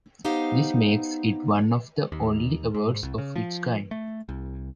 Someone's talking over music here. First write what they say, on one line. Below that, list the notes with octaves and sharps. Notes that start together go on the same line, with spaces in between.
This makes it one of the only awards of its kind.
B3 D#4 G4 C5 F5
D#2
G#2
C2
C#3
F3
A3
C2